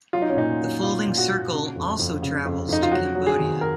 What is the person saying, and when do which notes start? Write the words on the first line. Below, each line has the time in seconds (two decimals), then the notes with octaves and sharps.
The Folding Circle also travels to Cambodia.
0.13 F#3 F4
0.22 D#4
0.30 C#4
0.37 A#2 D#4
0.60 F#3
0.83 A#2 F4
1.06 A#2
1.18 F#4
1.30 A#2
1.52 C#3
1.76 F2
1.99 F2
2.22 C#3
2.45 F2
2.69 F2 D#4
2.83 F4
2.92 F#3 F#4
3.15 F#3
3.26 G#4
3.38 D#3
3.61 A#4